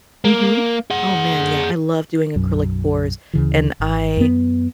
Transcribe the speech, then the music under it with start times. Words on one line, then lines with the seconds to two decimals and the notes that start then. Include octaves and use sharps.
Mhm. Oh, man, yeah, I love doing acrylic pours, and I
0.24 A#3
0.91 G#4 F#5
2.36 B1 F#2
3.33 D2 C#3 E3
3.80 G#1
4.17 F#2 B3